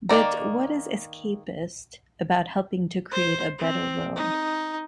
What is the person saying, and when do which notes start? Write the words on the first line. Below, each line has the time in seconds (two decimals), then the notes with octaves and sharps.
But what is 'escapist' about helping to create a better world?
0.09 D#3 A#3 E4 D5 A#5
3.11 C5
3.59 C4
4.16 D#4